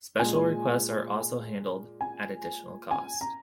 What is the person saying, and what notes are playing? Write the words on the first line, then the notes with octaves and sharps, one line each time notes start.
Special requests are also handled, at additional cost.
A#2 G#3 G#5
G#5
G#5
A#5